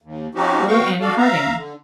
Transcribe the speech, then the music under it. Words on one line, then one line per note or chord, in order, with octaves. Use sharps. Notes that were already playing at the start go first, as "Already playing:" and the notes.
"Little Annie Harding."
D#2
F3 C4 C#4 D#4 F#4 G4
B3 F#4 F5 G5 C#6
D4 F#4 A4 D5 F5
E5 F5 A#5
D3